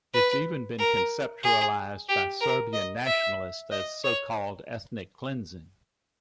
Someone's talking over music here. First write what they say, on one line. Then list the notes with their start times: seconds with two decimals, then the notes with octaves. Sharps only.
It's even been conceptualized by Serbian nationalists as so-called ethnic cleansing.
0.14 B4
0.79 A#4
1.43 G#4
2.09 G4
2.41 A#4
2.73 D#5
3.06 E5
3.71 D#5
4.04 C#5